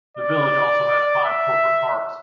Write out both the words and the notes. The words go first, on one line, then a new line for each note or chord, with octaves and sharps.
The village also has five corporate parks.
D5
E5